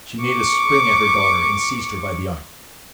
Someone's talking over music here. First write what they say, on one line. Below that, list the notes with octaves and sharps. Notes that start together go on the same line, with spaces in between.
She made a spring at her daughter, and seized her by the arm.
C#6 D6